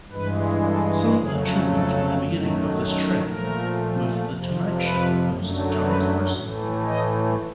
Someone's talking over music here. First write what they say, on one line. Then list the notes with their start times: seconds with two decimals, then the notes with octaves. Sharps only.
Some attribute the beginning of this trend with "The Tonight Show" host Johnny Carson.
0.12 G2 E3 G#3 B4
0.63 A4
1.15 F2 C#3 F#3 A3 G#4
1.67 A4
2.18 F#2 D#3 F#3 A3
3.22 A#2 F3 A3 A#4
4.26 F2 C3 F3
4.77 B4
5.29 F#2 D3 F#3 A3
5.81 B4
6.32 A2 E3 A3
6.85 D#5